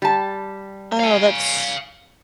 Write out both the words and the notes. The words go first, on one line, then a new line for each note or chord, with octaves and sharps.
Oh, that's
G3 A5
F5 G#5